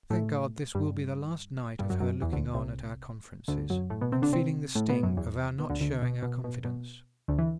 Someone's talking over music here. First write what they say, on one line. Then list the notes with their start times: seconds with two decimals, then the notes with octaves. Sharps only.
Thank God, this will be the last night of her looking on at our conferences, and feeling the sting of our not showing our confidence.
0.10 A2 A3
0.75 G2 G3
1.79 G2 G3
1.90 F#2 F#3
2.00 F#2 F#3
2.22 E2 E3
2.33 D2 D3
2.54 C2 C3
3.48 D2 D3
3.70 F#2 F#3
3.90 A2 A3
4.01 B2 B3
4.12 C3 C4
4.22 D3 D4
4.32 C3 C4
4.75 A2 A3
4.89 B2 B3
5.03 F#2 F#3
5.17 E2 E3
5.59 B2
5.70 D2 D3
5.80 D2 D3
6.02 B2
6.23 B2
6.44 B2
6.65 B2
7.28 D2 D3
7.39 E3